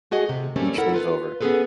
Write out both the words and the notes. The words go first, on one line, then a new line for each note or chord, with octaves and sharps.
Beach day's over.
A3 F#4 G#4 D#5
C3
G3 A3 A#3 C4 C#4
E4 A4 A#4 F#5
F4 B4
B3 C#4 D4 G#4 A4 B4